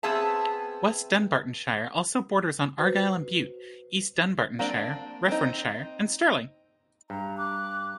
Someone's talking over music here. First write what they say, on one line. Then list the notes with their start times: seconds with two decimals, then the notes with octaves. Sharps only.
West Dunbartonshire also borders onto Argyll and Bute, East Dunbartonshire, Renfrewshire and Stirling.
0.03 B3 C4 G#4 E5 A5
2.78 F#4 B4 C5
4.59 A#3 C4 D4 C5
5.28 C4 D#4
7.10 G2 A#5
7.37 D6 F#6